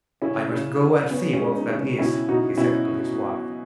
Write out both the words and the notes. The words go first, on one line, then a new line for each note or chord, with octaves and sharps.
'I must go and see what that is,' he said to his wife.
C#3 C#4 E4
C#3
C#3
B3 C#4
C#4
G#3
D#4
C#3
B2 C#4 E4
B2 D#4 F#4
B2 C#4 E4